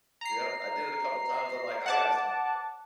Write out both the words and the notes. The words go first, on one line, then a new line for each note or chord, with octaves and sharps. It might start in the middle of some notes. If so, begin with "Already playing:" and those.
Yep. I did it a couple times. I'm like, "I gotta stop with it."
A#5 C7
F#5 A5 D6